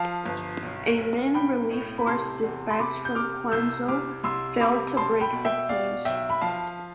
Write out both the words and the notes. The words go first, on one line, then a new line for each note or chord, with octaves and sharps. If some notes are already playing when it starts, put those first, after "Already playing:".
A Min relief force dispatched from Quanzhou failed to break the siege.
Already playing: F3 F5 A5
G1
B1
B1
B1 G5 B5
A2
B5
C3 A5 C6
E2
C6
C3 B5 D6
G6
C3 D6 F6
C2 E6 G6
C2 D6 F6
C2 C6 E6
C3 B5 D6
B1 A5 C6
G5 B5
B2
E5 G5
B2 D5 F5
B1 E5 G5
B5
F3 F5 A5